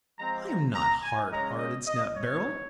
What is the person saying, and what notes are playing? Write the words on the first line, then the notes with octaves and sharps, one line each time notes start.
"I am not hard-hearted," snapped Beryl.
F3 G#3 C4 A#5
A#5
A#5
G#5
C#3 G#3 C#4 A#5
D#5
D#5
C#5